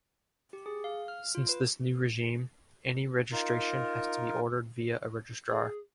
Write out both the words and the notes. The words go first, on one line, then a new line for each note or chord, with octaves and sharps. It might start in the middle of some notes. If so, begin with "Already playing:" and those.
Since this new regime, any registration has to be ordered via a registrar.
G4
G#4
F5
F6
F4
B4
D#4 F4 A#4
G#4